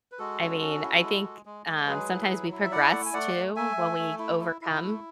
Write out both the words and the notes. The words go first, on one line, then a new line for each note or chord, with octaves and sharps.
I mean, I think, um, sometimes we progress too when we overcome,
B4
G#3 F#4 A4
C#4
C#4
E4
G#3
G#3
G#3
G#3
F#3 G#4 B4
E4
F#3
E4
E5
E4 D5 F#5
A3
G#5
A3 D5 F#5
A3
A3 E5 G#5
A3
A3
E4
E4
E4
A3